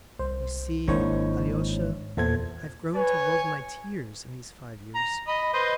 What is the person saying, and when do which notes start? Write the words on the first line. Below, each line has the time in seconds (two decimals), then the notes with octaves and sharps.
You see, Alyosha, I've grown to love my tears in these five years....
0.19 C2 C5
0.88 G#1 G#2 G#3 A#3 D4 E4 C5 C#5
2.17 E2 A#2 A4 C5 G#6
2.94 B4 C#5 G#5
4.95 A#5
5.28 D#5 B5
5.54 B4 C5 D#5